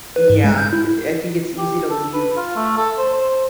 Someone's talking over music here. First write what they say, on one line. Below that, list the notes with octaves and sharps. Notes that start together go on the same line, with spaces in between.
Yeah, eh I think it's easy to leave
B4
G#2
G#3
G6
E4
G4
A4
B4
F4
A3
A4
C5
C5